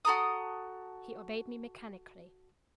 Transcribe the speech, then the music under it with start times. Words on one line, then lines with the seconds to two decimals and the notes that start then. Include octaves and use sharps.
He obeyed me mechanically.
0.05 F#4 A4 A#5 D#6